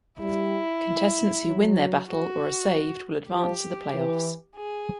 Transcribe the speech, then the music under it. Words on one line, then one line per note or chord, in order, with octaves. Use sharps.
Contestants who win their battle or are saved will advance to the Playoffs.
G3 E4
F#3
F#4
F3 G4
E3
G#4